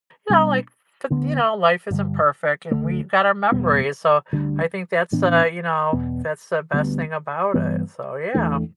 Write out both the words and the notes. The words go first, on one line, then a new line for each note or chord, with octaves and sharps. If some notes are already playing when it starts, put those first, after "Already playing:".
you know, like, t you know, life isn't perfect, and we got our memories, so I think that's, uh, you know that's the best thing about it, so, yeah.
B2 G3 B3 D4
D2 D3 B3 D4
G2 D3 G3
D2 D3 A3
E2 B2 G3 B3
D2 D3 G3 D4
A2 E3 B3 D4
E2 B2 B3
D2 D3 G3 B3
G2 E3 G3 B3
E2 E3 A3 D4